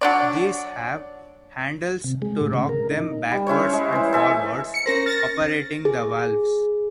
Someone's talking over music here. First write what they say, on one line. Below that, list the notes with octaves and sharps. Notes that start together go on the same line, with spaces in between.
These have handles to rock them backwards and forwards operating the valves.
F#3 D4 D5
C3
G#3
A2
C#3
A#4
D#4
G3
C#4 E4 C5 C#5
G#3
E3 C5
A4 E5 G#5
C#7
C#4 A#4 C5 A#6
F6 A6 A#6
G#4